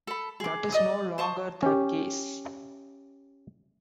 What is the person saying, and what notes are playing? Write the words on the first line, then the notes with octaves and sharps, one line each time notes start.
That is no longer the case.
A4 B5
G#4 D6
D5 D#5 D#6
C5 A5 C#6 D#6
C#4 G4